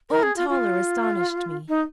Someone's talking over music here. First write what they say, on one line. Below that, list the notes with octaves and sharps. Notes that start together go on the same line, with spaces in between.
Old Toller astonished me.
A#4
G#4
F4
F4
D#4